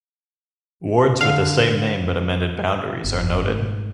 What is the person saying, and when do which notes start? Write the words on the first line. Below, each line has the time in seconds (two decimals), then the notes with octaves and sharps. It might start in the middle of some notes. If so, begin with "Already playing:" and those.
Wards with the same name but amended boundaries are noted.
1.21 D3 F5
3.04 G1
3.43 G#2 A3